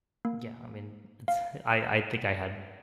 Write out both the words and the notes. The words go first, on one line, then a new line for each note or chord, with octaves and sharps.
Yeah, I mean, it's I I think I had
A#3
F5